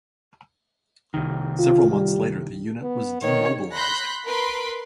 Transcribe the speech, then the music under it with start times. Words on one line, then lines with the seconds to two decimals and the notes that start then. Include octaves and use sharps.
Several months later the unit was demobilized.
1.14 C2 D#3
1.59 F4
1.91 G3
2.82 B3
3.23 D#3 C#5
3.75 B5 C6 F#6 G6 A#6 B6
4.25 A#4 B4 B5 C6 B6 D7